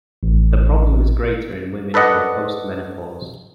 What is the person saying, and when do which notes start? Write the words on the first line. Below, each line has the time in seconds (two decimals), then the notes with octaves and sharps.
The problem is greater in women who are post-menopause.
0.23 A1
1.94 A4 B4 D5 D#5 F#5